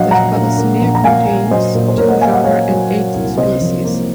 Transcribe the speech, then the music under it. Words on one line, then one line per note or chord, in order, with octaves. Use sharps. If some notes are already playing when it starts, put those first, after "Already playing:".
The Spalacinae contains two genera and eight species.
Already playing: A#1 F#3 D#5 F5 F#5
A#2 F#5 A#5
A#2
A#3
A#1
A#5
A#2 F5 G#5
A#2
F#3 C5 D#5
A#2
C5
A#2 A#4 C#5
D#5 F#5
A#3 F5 G#5
D#5 F#5
F#3 C#5 F5
F#3
F#3
C2
C3 C5 D#5
F3
A#3